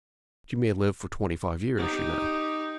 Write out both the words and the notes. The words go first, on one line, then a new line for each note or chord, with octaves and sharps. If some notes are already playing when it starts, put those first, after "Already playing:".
"But you may live for twenty-five years, you know."
D#4 G4